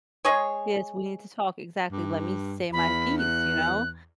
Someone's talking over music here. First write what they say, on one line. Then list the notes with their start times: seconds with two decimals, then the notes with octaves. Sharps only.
Yes, we need to talk exactly, "Let me say my piece," you know.
0.25 G#3 G#4 C#5
1.92 G2
2.73 E2 B5
3.19 F#6